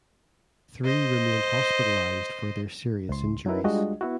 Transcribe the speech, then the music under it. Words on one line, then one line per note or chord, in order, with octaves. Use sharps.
Three remained hospitalized for their serious injuries.
C5 D#5
C#2 C6
F#3 C#4 D#4 E4 A#4 B4
G3 G#3 D4 F4 F#4 D#5
B3 E4 F#4